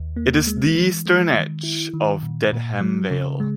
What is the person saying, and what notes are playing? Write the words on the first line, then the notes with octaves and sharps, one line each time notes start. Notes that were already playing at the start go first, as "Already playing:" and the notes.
It is the eastern edge of Dedham Vale.
Already playing: D#2
A#3
G#3
E3
G#3
D#3
E4
D#3
A#2
A#2
F#3
C#3
G#3